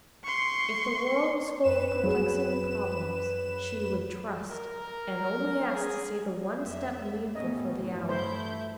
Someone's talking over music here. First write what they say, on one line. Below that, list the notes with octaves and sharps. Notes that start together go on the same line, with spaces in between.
If the world was full of perplexing problems she would trust, and only ask to see the one step needful for the hour.
C6 C#6
F#2 B4 E7
F#3 G#4 C#5
A#4
G#4
F2 A#3 E5
A2 G3 A3 B3 C#4 D#5
G2 E3 F#3
A3 E4 C5 G6